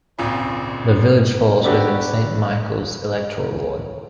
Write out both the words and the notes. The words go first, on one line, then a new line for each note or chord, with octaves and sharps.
The village falls within 'Saint Michel's' electoral ward.
G#1 C#2 A#2
B3 D4 F#4 G4 A4 B4